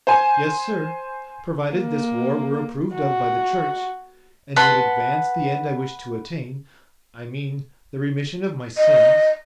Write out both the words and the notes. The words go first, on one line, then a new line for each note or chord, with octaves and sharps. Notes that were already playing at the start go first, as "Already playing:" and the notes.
"Yes, sir, provided this war were approved of by the church and would advance the end I wish to attain--I mean, the remission of my sins."
C5 G#5
A#3
F#4
B4 F#5 A5 C6
D#5